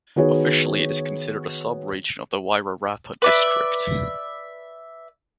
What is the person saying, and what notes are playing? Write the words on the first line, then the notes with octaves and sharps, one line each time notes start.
Officially it is considered a sub-region of the Wairarapa district.
D#3 B3 F#4 G#4 C#5
B4 D5 E5